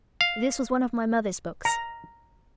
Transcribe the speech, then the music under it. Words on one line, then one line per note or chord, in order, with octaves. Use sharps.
This was one of my mother's books.
F5
A#5